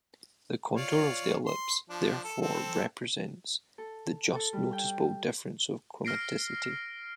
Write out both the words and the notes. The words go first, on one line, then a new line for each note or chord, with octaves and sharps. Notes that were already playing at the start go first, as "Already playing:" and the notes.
The contour of the ellipse therefore represents the just noticeable differences of chromaticity.
F4 C#5 D5
C6
F3 D4
A4
C4 A4
A4
A4
G3
G5
F6 A#6 C7 D7